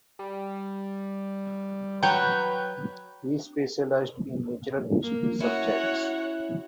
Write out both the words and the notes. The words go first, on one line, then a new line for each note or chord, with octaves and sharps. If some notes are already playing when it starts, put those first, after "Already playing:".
He specialised in natural history subjects.
G3
F#3 B4 C#5 G5 G6
A#3
C#4 E4 F#4 C#5 F#5